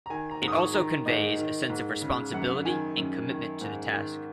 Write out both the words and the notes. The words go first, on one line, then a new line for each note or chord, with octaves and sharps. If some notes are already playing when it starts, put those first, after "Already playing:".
It also conveys a sense of responsibility and commitment to the task.
A#5
D#3 G#5
A#5
G#2
D#6
C#6
D#3 A#5
G#2 D#5
D#3
G#2
C#3
F#2 F#5
D#3 G#5
F#2
D#3
G#2
D#3